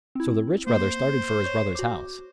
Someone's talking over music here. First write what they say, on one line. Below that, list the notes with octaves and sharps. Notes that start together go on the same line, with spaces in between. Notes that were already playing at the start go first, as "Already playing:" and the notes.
So the Rich Brother started for his brother's house.
C4 E4
A#3 C5
C#5 C#6 G6
F#4 D6